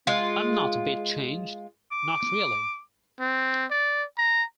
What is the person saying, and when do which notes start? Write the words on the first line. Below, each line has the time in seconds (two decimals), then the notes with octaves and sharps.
I’m not a bit changed — not really.
0.07 G#3 F4
1.92 D6
3.20 C4
3.70 D5
4.18 A#5